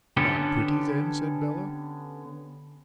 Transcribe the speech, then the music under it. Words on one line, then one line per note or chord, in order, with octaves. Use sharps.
'Not pretty then?' said Bella.
D3 B3 C#4 G4 A4